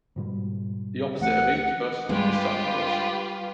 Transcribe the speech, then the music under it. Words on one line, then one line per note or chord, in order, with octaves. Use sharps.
The opposite of "incubous" is succubous.
G#2 B2 G3
C#2 E3 A3 F#5
G2 G3 G#3 F4 G4 B4